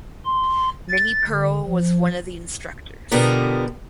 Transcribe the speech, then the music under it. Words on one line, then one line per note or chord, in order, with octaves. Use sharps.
Minnie Pearl was one of the instructors.
C6
A6
D3
F3
B2 D3 F3 B3 G4 A#4